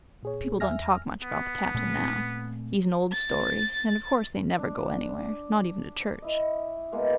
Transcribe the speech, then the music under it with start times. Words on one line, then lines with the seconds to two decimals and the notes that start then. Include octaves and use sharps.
But people don't talk much about the Captain now--he's an old story--and of course they never go anywhere, not even to church.
0.23 A#2 G#4 C#5
0.60 E2 E5 G#5 F6 A#6
1.22 B3
1.75 A#2 A3 C4
3.12 A6
4.58 D4
6.22 E4 D#5
6.92 B2 G#3 A#3 B3